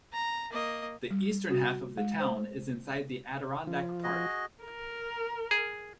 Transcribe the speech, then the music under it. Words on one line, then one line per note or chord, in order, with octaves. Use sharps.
The eastern half of the town is inside the Adirondack Park.
A#5
A#3 D#5
G3
F#4
G#3
C5
F3
F#4 G#4 D#5
A#4
G#4